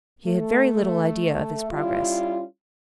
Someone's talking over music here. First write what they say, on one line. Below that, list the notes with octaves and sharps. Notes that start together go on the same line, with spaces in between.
He had very little idea of his progress.
A3
G3 C#4 E4 F4